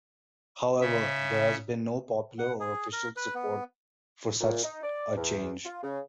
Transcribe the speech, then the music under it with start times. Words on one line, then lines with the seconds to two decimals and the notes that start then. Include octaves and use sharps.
However, there has been no popular or official support for such a change.
0.81 C#3 E5
2.39 F#5
2.60 G#4
2.92 A#4
3.16 B4
3.35 B3
4.41 A#2
4.63 D#4
4.83 D5
5.16 E2
5.64 F4
5.82 C#3